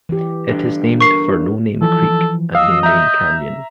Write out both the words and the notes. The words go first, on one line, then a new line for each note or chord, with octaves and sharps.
It is named for No Name Creek and No Name Canyon.
E3 G4
G2 D3
A#4 C#6 C7
E3 F3 A4
D#5 F5 E6
E5 A#5 G6